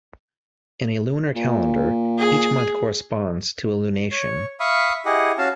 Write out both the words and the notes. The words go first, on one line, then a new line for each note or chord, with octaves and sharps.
In a lunar calendar, each month corresponds to a lunation.
A#2
G#4
C#5
E5 F5 B5 C#6 D#6
E4 G4 G#4 D#5 F#5
C#4 F#4 F5 A5